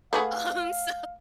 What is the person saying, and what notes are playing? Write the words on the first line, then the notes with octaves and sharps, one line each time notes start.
Um, so,
A3 B3 G#4 F5